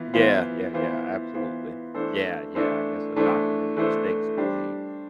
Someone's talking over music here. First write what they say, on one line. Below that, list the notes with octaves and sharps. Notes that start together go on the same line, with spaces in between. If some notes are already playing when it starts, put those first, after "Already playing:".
Yeah, yeah, yeah absolutely. Yeah, yeah I guess a doctor making mistakes could be,
Already playing: E3 B3 F4
E3 B3 F4 C5
E3 B3 F4 C5
E3 B3 F4 C5
E3 A3 D4 A4 C5
E3 A3 D4 A4 C5
E3 A3 D4 A4 C5
E3 A3 D4 A4 C5
G3 D4 G4 C5